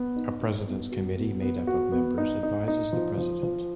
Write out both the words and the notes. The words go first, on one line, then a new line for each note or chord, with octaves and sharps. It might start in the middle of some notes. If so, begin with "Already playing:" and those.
A President's Committee, made up of members, advises the president.
Already playing: B3
D#4
D#4
B3
F#4
B3
B3
F#4
B3
D#4
D#4
D#4
F3
F3
F3